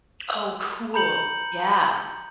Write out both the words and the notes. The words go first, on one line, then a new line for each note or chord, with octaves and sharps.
Oh, cool. Yeah.
A#5 B5 G6 C#7 F#7